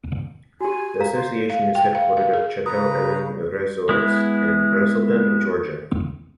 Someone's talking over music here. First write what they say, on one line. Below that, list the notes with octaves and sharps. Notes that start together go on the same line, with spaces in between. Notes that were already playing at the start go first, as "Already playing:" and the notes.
The Association is headquartered at Chateau Elan Resort in Braselton, Georgia.
F#4 G4 G#5
F5 A#5
C5
F5
G5
F5
F5
G#4
C#3 B4 A#5 D#6
G#3 B3 E4